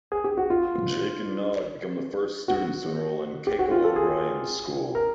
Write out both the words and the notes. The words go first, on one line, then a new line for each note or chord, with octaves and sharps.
Jake and Nog become the first students to enroll in Keiko O'Brien's school.
G#4
G4
F#4
F4
F#4
G4
F#4
F4
A4
G#4
A#4